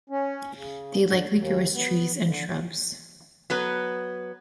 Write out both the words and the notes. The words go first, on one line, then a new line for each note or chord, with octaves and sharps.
They likely grew as trees and shrubs.
C#4
C#3
D3
D#2
B3
D3
F#3 B3 B4